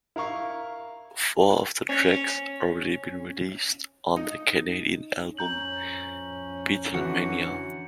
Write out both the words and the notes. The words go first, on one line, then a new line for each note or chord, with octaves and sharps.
Four of the tracks had already been released on the Canadian album Beatlemania!
E4 A#4 F5 C#6
C#4
D#4
F2 C#4 A#5 G6 F#7
D3 E3 F#4 C#7